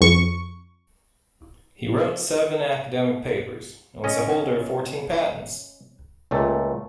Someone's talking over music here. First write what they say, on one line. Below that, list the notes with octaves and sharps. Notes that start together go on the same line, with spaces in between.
He wrote seven academic papers and was the holder of fourteen patents.
F2 C#6
C#4 D#5
C#2 A#2 A3